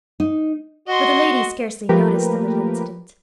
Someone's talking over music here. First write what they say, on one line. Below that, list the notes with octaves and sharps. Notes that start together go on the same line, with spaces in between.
But the lady scarcely noticed the little incident.
D#4
F#4 D#5 C6
F3 A3 A#3 G4 A#4 B4